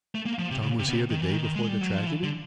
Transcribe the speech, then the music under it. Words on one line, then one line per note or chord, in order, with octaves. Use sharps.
"Tom was here the day before the tragedy?"
A3
A#3
F3
C3
C#3
C3
B2
C3
D#3
E3
D#3
G#3
G3
F#3
F3
E3
D3